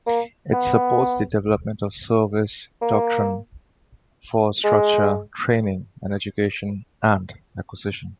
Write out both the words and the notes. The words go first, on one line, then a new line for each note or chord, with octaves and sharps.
It supports the development of service doctrine, force structure, training and education, and acquisition.
A#3
B3
A#3
G#3